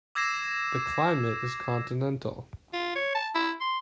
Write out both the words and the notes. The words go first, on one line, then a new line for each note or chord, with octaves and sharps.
The climate is continental.
D6 E6 G#6 A#6 C7 E7
F4
C#5
A5
E4
C6